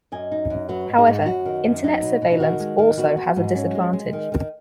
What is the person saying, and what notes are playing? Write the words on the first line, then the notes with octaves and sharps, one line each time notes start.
However, Internet surveillance also has a disadvantage.
F#2 D#5 G#5
D#4
F#2
F#3 F#4 B4
G#2
D#4 G#4
G#2
D#4
F#2 F#4
D#3
F#2
F#3 D#4
B2
B2
D#4
D#3 F#4
G#3
D#3
B3 F#4
B3
G#2
C#4
G#3
G#3
D#3
D#3